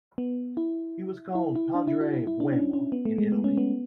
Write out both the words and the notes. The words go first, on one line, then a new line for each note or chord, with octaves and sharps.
He was called "Padre Boemo" in Italy.
B3
E4
E4
E4
D4
E4
F#4
E4
E4
D4
C#4
C#4
B3
A3
G#3
B3
C#4
B3